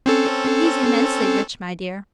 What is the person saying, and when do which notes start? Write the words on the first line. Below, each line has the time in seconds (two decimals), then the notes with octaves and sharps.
He's immensely rich, my dear.
0.06 C4 C#4 A4